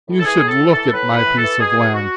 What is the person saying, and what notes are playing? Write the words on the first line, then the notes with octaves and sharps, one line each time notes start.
You should look at my piece of land.
A2
A4
E3 G#4
A2
A4
A2
E3 A4
A2 B4
A2 B4
E3
A4
E3
B2 G#4
B2
B2 F#4